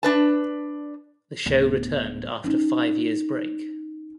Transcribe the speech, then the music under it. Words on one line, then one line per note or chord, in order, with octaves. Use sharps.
The show returned after five years break.
D4 B4 A5
D1 B3
C#4 D#4